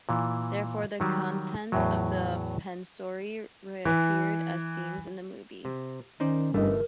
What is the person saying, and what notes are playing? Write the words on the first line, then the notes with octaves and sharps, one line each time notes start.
Therefore, the contents of the Pansori reappear as scenes in the movie.
A#2 E3
D#3 F#3 G3
E2 A2 F#3
E3
C3
D#3 C#4 D#4 C5 D5
G1 G2 E3 A3 A#4 D#5